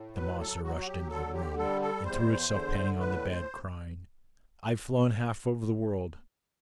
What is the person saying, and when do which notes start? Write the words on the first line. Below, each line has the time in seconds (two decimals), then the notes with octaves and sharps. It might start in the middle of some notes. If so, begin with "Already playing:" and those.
The monster rushed into the room, and threw itself panting on the bed, crying: 'I've flown half over the world.
Already playing: A2
0.16 F#3 B4
0.40 A4
0.63 F#3 F#4
0.77 F#4
0.87 G4
1.11 D3 A4
1.34 G4
1.58 G3 A4
1.82 A4
2.05 E2 C5
2.52 D3
3.00 A2 B4
3.31 C5